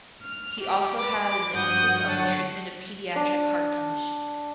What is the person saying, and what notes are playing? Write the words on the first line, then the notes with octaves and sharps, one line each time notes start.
He also had an emphasis on the treatment of pediatric heart conditions.
F6
G4
B4 D6
G2 F3 F#4 F#5 D#6 G6
D3 F#3 C#5 F#5 A5
D4